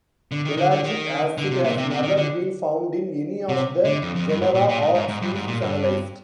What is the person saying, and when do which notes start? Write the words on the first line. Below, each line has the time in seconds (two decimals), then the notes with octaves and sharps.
Ellagic acid has never been found in any of the genera or species analysed.
0.31 D3
0.45 D#3
0.57 D3
0.71 D3
0.84 D#3
1.38 D3
1.51 C3
1.64 A#2
1.78 C3
1.90 C3
2.03 D#3
2.17 D3
3.49 C3
3.85 D3
4.02 F2
4.15 F2
4.29 G2
4.41 G#2
4.55 A#2
4.69 A#2
4.82 G#2
4.94 G#2
5.09 G#2
5.22 G2
5.35 G#2
5.48 A#2
5.62 G2